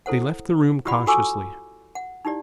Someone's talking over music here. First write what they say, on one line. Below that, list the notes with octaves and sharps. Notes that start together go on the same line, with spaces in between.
They left the room cautiously.
E4 A4 C5 F#5
E4 F4 G4 D5 F#5 B5
F#4 A4 G#5 C#6 D6 E6
F#5
D#4 E4 G4 D5